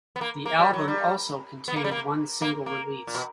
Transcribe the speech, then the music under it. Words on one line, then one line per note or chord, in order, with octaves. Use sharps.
The album also contained one single release.
B3
A#3
A#3
G3
F#3
G3
B3
A#3
G3
A#3
A#3
A#3
A#2
B2